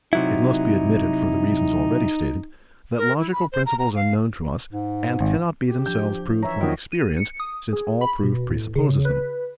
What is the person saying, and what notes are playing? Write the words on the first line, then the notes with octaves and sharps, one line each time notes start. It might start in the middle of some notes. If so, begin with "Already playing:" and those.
It must be admitted, for the reasons already stated, that logical principles are known to us, and cannot be themselves proved by experience, since all proof presupposes them.
C3 F#3 D#4 E4
A#4
E4
B5
C5
A#5
A#5
F5
G#2
G#1
G4
F3 D4 G6
E3 C#5 E5 A#5
D#3 F3 B3 F#4 D#5
D#7
C#7
D#6
G#4
B5
B2
A2
C#3
B4